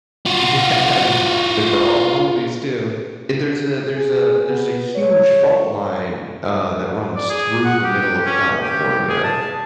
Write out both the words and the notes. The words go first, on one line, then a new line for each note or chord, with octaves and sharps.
Yeah, and if for all the movies too. If there's a there's a there's a huge fault line, uh, that runs through the middle of California,
F4 F#4
G#4
B3
C#5
D5
G#4
F#5
G4
C#4
G4
G#4
A5